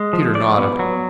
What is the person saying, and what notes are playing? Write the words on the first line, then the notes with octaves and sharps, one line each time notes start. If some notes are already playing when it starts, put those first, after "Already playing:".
Peter nodded.
Already playing: G#3
F3
D5
B3
F#3